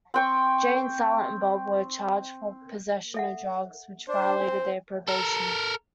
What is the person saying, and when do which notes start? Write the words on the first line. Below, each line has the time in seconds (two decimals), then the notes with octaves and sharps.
Jay and Silent Bob were charged for possession of drugs, which violated their probation.
0.14 C4 G5 C#6
3.14 A4 E5 F#5
4.09 D4 C5
4.40 C4 D4
5.08 A4 A#4